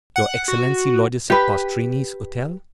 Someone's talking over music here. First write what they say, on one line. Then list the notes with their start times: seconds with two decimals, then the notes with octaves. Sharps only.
"Your excellency lodges at Pastrini's hotel?"
0.16 F#5
0.48 F#4
1.30 G4 B4